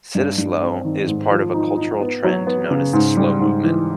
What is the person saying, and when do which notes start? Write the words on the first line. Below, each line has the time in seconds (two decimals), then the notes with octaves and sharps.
Cittaslow is part of a cultural trend known as the slow movement.
0.15 G2
0.38 G2
0.61 C4
0.85 D#3
1.07 G#2
1.31 F3
1.54 D#4
1.77 D#4
2.01 B3
2.24 F#3
2.47 B3
2.71 C#3
2.93 G#2
3.17 G3
3.40 G#2
3.64 E3